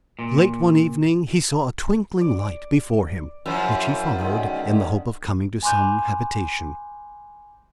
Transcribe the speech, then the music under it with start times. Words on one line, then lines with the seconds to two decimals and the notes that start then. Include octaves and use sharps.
Late one evening he saw a twinkling light before him, which he followed, in the hope of coming to some habitation.
0.19 A#2
2.21 D5
3.46 F#2 F3 E4
4.19 D3 D#3 G#3
5.63 G#5 B5 C6 D6 F#6 G6